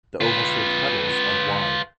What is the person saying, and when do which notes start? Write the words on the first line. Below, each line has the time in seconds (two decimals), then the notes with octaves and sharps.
The oval-shaped petals are wide.
0.21 F4 B4